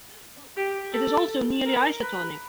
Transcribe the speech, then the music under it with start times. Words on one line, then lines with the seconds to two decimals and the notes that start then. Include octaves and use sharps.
It is also nearly isotonic.
0.57 G4
0.92 A4
1.66 A#4
2.02 B4